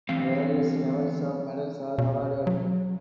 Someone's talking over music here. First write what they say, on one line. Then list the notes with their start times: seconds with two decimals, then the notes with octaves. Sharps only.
Various levels of medals are awarded.
0.09 D3 E3 G3 B3 C4 F5
1.98 B2
2.47 F#3